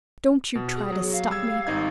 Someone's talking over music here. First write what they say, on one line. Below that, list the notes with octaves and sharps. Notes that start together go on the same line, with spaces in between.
Don't you try to stop me!
B2
G#4
F#3
F5
G3 E6 G#6
G#1 D#4 G#6